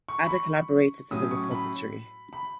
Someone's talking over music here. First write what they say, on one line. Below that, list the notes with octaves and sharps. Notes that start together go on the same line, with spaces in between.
Add a collaborator to the repository.
C#6
B5
C#6
A2 F#3 C#4 D#6
C#6
B5
B5